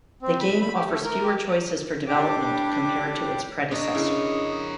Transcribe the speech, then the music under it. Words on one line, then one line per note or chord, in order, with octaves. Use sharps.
The game offers fewer choices for development compared to its predecessor.
C4
B5
B5
G4
A3
A#4
G4
A2 G3 D4 G4 D6
D4 A#4 C#5 D#5
C#3 D4 E4